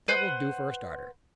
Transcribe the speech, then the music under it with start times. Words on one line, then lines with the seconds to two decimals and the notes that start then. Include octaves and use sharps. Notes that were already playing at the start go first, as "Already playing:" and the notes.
That will do for a starter.
0.08 B4 C5 F#5